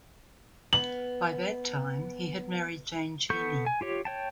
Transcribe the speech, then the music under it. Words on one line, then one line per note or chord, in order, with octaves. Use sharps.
By that time, he had married Jane Cheney.
B3 F#7
B3 A4 C#6 G6
G#5
F4 G4 C#5
C#5 G5 A5